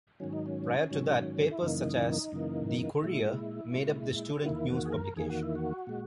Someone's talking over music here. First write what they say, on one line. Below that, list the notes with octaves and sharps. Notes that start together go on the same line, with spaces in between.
Prior to that, papers such as "The Courier" made up the student news publications.
G#2 D#3 F#3 C#4
D#4
C#4
G#2 D#3 F#3
E4
F#2 C#3 E3 A#3 D#4
F#2 C#3 E3 A#3
A#2 G#3 E4
A#2 G#3
F#4
E2 D#3 A#3 E4
F#4
G#4
A#4
E2 D#3 A#3 G#4
F#4
E4
F#4
A#2 G#3